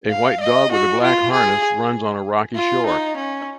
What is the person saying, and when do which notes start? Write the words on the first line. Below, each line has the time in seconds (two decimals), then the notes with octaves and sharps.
A white dog with a black harness runs on a rocky shore.
0.10 F5
0.41 D#5
0.72 F#4
1.03 F4
1.33 G#4
2.55 F4
2.86 D#4
3.17 C#4